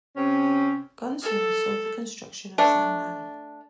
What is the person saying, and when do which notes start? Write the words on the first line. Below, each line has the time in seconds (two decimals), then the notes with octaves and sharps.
Gongsun saw the construction of Xiangyang.
0.16 C3 C4 C#4
1.22 A4
2.58 A3 D4